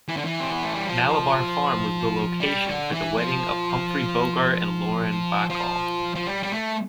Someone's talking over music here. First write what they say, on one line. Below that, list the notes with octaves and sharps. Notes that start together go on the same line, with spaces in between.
Malabar Farm was the location for the wedding of Humphrey Bogart and Lauren Bacall.
E3
D3
E3
C4
B3
A3
G3
F3
G3
D3
E3
F3
F3
F3
G3
G3
A3